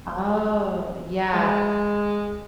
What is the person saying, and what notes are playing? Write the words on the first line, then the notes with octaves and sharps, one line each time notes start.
Oh, yeah.
G#3